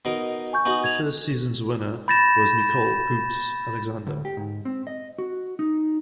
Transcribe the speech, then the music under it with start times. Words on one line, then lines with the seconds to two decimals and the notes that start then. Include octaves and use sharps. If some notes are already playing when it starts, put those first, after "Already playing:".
The first season's winner was Nicole "Hoopz" Alexander.
0.05 B2 D#4 A#4
0.53 G#5 C#6 G6
0.65 B3 D#4 F#4
0.84 G#6 F7
2.08 B5 G6 A6 A#6 E7
4.07 D2
4.25 G4
4.37 G#2
4.65 C4
4.87 D#5
5.19 F#4
5.59 D#4